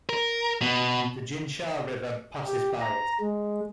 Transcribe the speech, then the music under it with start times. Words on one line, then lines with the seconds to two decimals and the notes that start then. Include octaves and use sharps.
The Jinsha River passes by it.
0.09 A#4
0.62 B2
2.46 G4
2.81 A#5
3.20 G#3